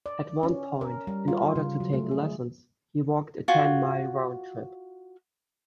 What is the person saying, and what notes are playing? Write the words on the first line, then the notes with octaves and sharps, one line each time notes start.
At one point, in order to take lessons, he walked a ten-mile round trip.
D5
C#4
A#4
G3
F4
C#3
F#3
A3
G#4
F4 F#4 G#5